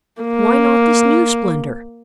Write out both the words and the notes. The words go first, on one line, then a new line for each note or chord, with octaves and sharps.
Why not this new splendor?
A#3